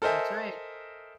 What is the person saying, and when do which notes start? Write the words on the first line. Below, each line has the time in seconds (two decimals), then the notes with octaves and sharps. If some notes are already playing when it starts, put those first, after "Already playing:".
That's right.
0.02 A4 A#4 C5 D#5 E5 G#5